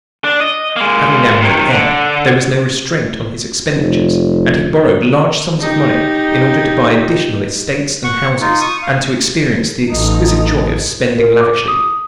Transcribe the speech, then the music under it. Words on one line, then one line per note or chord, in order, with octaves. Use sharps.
Having now no heir, there was no restraint on his expenditures, and he borrowed large sums of money in order to buy additional estates and houses and to experience the exquisite joy of spending lavishly.
D4
D#5
G#3 A#3
C3 D#3
D3
F1
D#4 G4
F#5 C#6
D#4 F4
C#6 D#6
F5
A1 D#4
A#4
D6
D#6